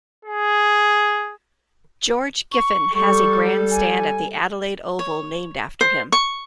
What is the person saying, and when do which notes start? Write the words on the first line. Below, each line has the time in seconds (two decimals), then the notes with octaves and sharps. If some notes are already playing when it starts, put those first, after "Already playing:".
George Giffen has a grandstand at the Adelaide Oval named after him.
0.25 G#4
2.52 C#6
2.95 G3 A4 C#6
3.71 G#5
4.99 C#5
5.81 C5
6.12 C#6